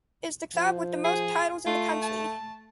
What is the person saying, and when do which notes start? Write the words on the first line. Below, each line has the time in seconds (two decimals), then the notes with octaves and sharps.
It’s the club with the most titles in the country.
0.55 F3
1.04 G#4
1.66 A3 F4
2.02 A5